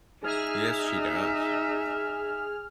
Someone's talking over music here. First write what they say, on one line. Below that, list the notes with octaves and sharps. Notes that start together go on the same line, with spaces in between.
Yes, she does.
D#4 G#4 E5 F6